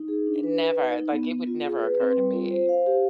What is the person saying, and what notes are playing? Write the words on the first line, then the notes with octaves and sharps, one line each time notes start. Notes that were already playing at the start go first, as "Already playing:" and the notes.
Eh, never. Like, it would never occur to me.
Already playing: D#4
G#4
D4
B4
B4
D#4
D#4
B3
B3
F4
G#4
B4
C4
G3
F4
C5
F5
G4